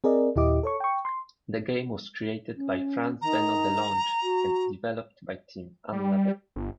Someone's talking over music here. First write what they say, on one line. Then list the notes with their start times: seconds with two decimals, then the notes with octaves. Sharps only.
The game was created by Franz-Benno Delonge and developed by Team Annaberg.
0.04 C4 G#4 A#4 D5 D#5
0.36 D#2 A#2 E4 G4 D#5 D6
0.63 A4 C#5 C#6
0.80 G5 C#6
1.05 C6
2.56 C#4
3.21 D#3 A#5
4.22 F#4
5.92 G3
6.56 G1